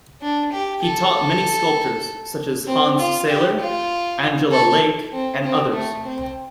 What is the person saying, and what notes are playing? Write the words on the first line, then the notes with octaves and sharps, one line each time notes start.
He taught many sculptors, such as Hans Sailer, Angela Laich and others.
D4
G4
A4
C4
F4
G4
F4
A4
C4
C4
A3
C4